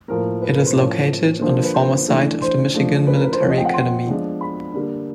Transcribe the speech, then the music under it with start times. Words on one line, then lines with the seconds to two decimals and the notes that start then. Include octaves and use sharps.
It is located on the former site of the Michigan Military Academy.
0.08 A2 F3 A#3 A#4
0.42 B4
0.50 A#4
0.58 B4
0.66 C5
0.74 A2 F3 A#3 C#4 C#5
1.41 D3 F3 A#3 D4 C5
1.63 B4
1.74 C5
2.08 E3 A3 D4
2.42 C5
2.74 F3 A3 D4
3.07 B4
3.16 A#4
3.24 B4
3.32 C5
3.40 F3 A3 C4 C#5
3.50 D#5
3.58 G5
3.65 F#5
3.74 C6
4.07 F3 G#3 B3 D4
4.41 B5
4.74 D3 G3 A#3 D4